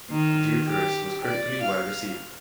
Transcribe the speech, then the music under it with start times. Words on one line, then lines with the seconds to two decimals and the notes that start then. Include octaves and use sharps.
"Deuteros" was critically well received.
0.10 D#3
0.66 G4
1.23 D5
1.62 F5